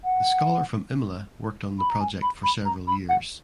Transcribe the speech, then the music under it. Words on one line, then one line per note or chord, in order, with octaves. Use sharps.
The scholar from Imola worked on the project for several years.
F#5
B5
A#5
G#5
B5
B5
A#5
B5
F#5